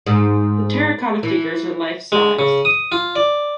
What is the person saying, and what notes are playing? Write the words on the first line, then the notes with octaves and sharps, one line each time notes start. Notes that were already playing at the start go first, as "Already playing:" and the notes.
The terracotta figures are life-sized.
G#2
E3
G#3
C#3
D#6
F4
D5